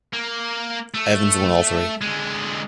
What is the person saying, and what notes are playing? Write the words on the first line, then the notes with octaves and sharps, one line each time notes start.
Evans won all three.
A#3
A3
D3 G#3